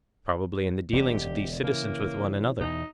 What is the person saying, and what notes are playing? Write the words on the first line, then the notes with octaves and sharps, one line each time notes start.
Probably in the dealings of these citizens with one another.
E1 D3 G4
C#3 E3 A#3
E2 B2 D#4